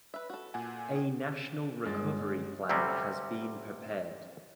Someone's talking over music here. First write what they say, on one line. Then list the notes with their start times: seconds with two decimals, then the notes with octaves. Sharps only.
A National Recovery Plan has been prepared.
0.14 B4 E5
0.30 F#4 A4
0.54 A#2 F#5 G#5
0.91 D#3 G#4
1.85 G1 G#3 A6
2.69 D2 C3 G3 A3 C4 C#4